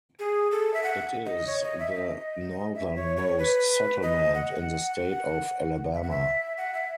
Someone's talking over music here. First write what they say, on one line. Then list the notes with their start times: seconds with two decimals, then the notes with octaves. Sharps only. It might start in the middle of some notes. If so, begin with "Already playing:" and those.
It is the northernmost settlement in the state of Alabama.
0.19 G#4
0.51 A4
0.74 E5
0.83 F#5
1.26 D#5
1.47 C#5
1.63 D#5
1.79 E5
1.94 D#5
2.75 E5
2.96 C#5
3.17 C#5
3.39 B4
4.03 D#5
4.34 F#5
5.94 E5
6.02 F#5
6.10 E5
6.57 F#5
6.74 E5